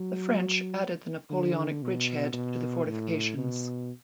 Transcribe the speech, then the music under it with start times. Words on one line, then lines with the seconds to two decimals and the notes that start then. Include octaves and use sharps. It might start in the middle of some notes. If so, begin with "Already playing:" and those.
The French added the Napoleonic bridge head to the fortifications.
Already playing: F#3
1.30 D3
1.83 B2
2.33 B2
2.86 A2
3.37 B2